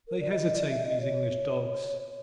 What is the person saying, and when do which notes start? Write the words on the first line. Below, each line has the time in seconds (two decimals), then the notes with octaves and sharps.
They hesitate, these English dogs!
0.08 A#4
0.20 D5
0.31 D#5
0.43 D#5
0.55 D5
0.65 D#5
0.70 E5
0.85 D#5
1.01 C#5